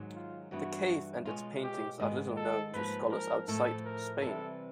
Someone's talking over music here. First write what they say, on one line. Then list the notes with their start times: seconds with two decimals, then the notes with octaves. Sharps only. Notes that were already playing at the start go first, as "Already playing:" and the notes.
The cave and its paintings are little known to scholars outside Spain.
Already playing: G#2 D#3 F#3
0.15 F4
0.51 G2 E3 G3 B3 F#4
1.26 B2 G#3 C#4 F4
1.63 G4
2.00 G#2 D#3 G#3 B3
2.36 A4
2.73 G#2 F3 A#3 B4
3.10 A#4
3.47 A2 F3 A3 A4
3.85 A#4
4.21 C3 E3 G3 A4